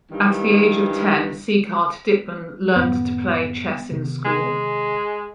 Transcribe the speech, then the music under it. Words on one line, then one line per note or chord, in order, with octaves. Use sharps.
At the age of ten Sieghart Dittmann learned to play chess in school.
G2 D#3 E3
F#2 A2 D#3 B3
C3 D#3
G#3